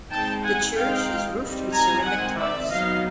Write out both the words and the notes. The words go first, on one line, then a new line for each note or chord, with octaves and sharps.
The church is roofed with ceramic tiles.
G#3 C4 D#4 G5 A5
F#5 G#5
G#3 C4 D#4 F5 G5
G3 C4 D#4
G#5 A#5
D#3 G#3 C4 D#4 F#5 G#5
D5 E5
F#3 B3 D#4 D#5 F5